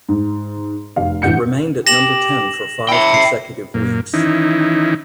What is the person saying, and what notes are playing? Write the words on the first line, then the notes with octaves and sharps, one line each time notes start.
It remained at number ten for five consecutive weeks.
G#2
F1 F5
A1 G2 E3 F#5 G6 C#7
G4 A#6 E7 F#7
E4 E5 G5
C7
F#2 A#2 A#3
D#3 E3 C#4 D#4 E4